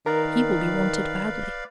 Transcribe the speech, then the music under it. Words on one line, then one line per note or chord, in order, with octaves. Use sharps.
He will be wanted badly.'
D#3 A#4 B4 D5 F5 A#5